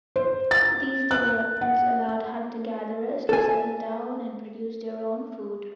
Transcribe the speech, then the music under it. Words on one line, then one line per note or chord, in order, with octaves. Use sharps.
These developments allowed hunter-gatherers to settle down and produce their own food.
C5
A6
F#6
F#5
A4 G#5